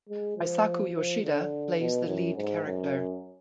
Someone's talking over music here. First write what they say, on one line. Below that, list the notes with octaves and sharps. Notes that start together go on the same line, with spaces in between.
Eisaku Yoshida plays the lead character.
G#3
F3
F3
D3
B2
F#2
G#2
F#2